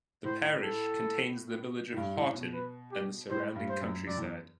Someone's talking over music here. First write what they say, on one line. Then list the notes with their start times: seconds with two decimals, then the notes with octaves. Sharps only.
The parish contains the village of Haughton and the surrounding countryside.
0.24 A2 C5
0.63 A4
1.92 A2
1.97 G2
2.15 A2
2.35 B2
2.53 B4
2.92 G4
3.30 A2 C5
3.55 G2
3.69 C5
3.81 F#2
4.07 F#2 D5
4.17 E2